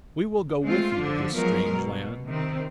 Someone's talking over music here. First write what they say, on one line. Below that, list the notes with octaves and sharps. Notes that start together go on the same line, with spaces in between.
"We will go with you to this strange land."
G#3 A3 C4 F4
D3 F3 D4
F3 F#3 G#3 B3 A#4
B2
C3 D#3 C4